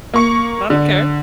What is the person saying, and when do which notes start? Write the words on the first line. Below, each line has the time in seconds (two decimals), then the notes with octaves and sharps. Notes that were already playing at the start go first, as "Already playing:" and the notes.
I don't care.
0.14 A#3 C#6 C#7
0.70 D3